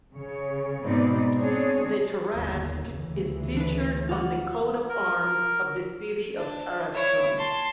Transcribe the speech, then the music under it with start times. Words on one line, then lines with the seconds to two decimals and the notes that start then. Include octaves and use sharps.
The Tarasque is featured on the coat of arms of the city of Tarascon.
0.12 C#3 C#5
0.83 G#2 B2 C4 D#4 B4 D5
1.37 C4 D4 G#4 C#5
2.31 G1 D#2
2.90 D2 C#3 E3
3.57 D4 B4
4.09 F4 F#5
4.89 A#4
6.35 D4
6.93 E4 C#5
7.37 A5 C6